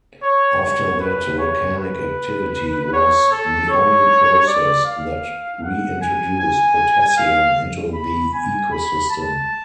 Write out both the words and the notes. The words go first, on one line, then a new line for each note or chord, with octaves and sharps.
After that, volcanic activity was the only process that reintroduced potassium into the ecosystem.
C#5
C#5
B4
C#5
B4
C#5
A4
C#5
D5
F5
F#5
G#5
G#5
F5
B5
G#5
B5
A5